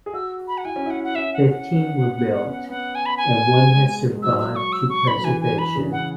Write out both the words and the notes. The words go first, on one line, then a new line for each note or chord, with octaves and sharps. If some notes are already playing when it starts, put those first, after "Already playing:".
Fifteen were built, and one has survived to preservation.
G#4
F#4 E6
B5
F#5
E4 G#5
C#4
E4 F#5
F#5
C#4 E5
F#5
F#5
B3
C#4
B3 F#5
G#5
B5
G#5
G#3
G#3
F#3 E6
E6
C#6
E6
C#6
B5
F#3
E3 G#5
G#5
B5
C#3
F#5